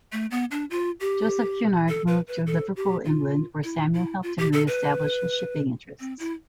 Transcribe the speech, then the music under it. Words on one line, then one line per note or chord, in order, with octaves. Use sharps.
Joseph Cunard moved to Liverpool, England where Samuel helped him re-establish his shipping interests.
A3
B3
D4
F4
G4
A4
B4
B4
A4
G4
F4
E4
E4
F4
G4
A4
B4
C4
E4